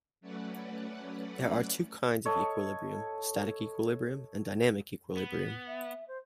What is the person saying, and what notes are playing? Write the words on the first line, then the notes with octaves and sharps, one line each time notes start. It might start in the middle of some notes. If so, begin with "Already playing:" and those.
There are two kinds of equilibrium: static equilibrium and dynamic equilibrium.
F#3 A3 C#4 B4 D5 F#5
A4 C#5 D#5
B3
E5
C5